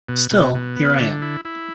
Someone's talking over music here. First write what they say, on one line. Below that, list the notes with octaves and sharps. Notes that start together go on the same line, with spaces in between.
Still, here I am.
B2
B2
B2
B3
D3
E4
E4